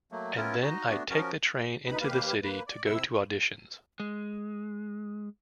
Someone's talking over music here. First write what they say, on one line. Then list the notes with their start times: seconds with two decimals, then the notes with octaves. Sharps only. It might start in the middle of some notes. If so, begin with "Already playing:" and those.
"And then I'd take the train into the city to go to auditions".
0.12 F#3 A3 A#3
0.37 B3 C#4 E4 F4 A#4
0.62 D#4 F#4 D#5
0.88 A3 B3 D4 F#4
1.11 F3 C#4 F#4 A#4
1.87 D2 D#4 B4 B5
2.01 D#2 A#3 G4 B4 F5
2.43 A#3 B4
2.67 D5
2.85 C3 E4 E6
4.00 G#3